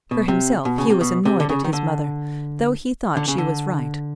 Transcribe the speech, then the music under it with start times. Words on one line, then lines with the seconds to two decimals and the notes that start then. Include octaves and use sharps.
For himself he was annoyed at his mother, though he thought she was right.
0.11 B2
0.28 C3
0.65 B2
0.78 C#3
0.90 C3
1.01 B2
1.25 C3
1.40 D3
1.49 C#3
1.64 D#3
1.73 D3
3.17 D3
3.28 C#3
3.38 D3